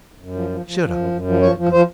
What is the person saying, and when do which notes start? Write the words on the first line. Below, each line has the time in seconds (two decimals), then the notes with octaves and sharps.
"Shut up," said Buck.
0.20 F#2
0.35 F3
0.50 F3
0.66 F3
0.81 F3
0.96 F#2
1.11 F#2
1.27 F3
1.42 F3 C#5
1.57 F3
1.72 F3 C5